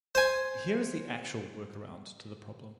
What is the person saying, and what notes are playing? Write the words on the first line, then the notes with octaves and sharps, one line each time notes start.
Here is the actual workaround to the problem.
C5 G#5